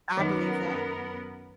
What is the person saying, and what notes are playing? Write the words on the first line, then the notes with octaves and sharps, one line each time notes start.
I believe that.
F#2 D#3 F#3 B3 D#4 A#4